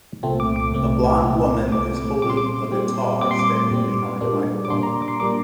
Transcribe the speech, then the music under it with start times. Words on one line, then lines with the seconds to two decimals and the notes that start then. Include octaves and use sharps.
A blond woman is holding a guitar standing behind a microphone.
0.23 C2 A#2 A3 C4
0.40 D6
0.56 D6
0.73 C2 A#2 A3 C4
1.22 C2 A#2 A3 C4
1.72 C2 A#2 A3 C4 D6
1.97 D6
2.22 A#2 G3 C4 D6
2.30 C6
2.37 D6
2.72 A#2 G3 C4
3.21 A#2 G3 C4 D6
3.31 C6
3.39 D6
3.71 A#2 G3 C4
4.21 A#2 G3 A#3 D4
4.65 D6
4.70 A#2 G3 A#3 D4 C6
4.83 A#5
5.02 D6
5.08 C6
5.20 A#2 G3 A#3 D4 D6